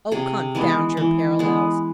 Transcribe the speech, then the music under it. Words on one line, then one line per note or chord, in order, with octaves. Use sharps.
'Oh, confound your parallels!
C3 G#4
E3 G#3 B3
E3
G#3 B3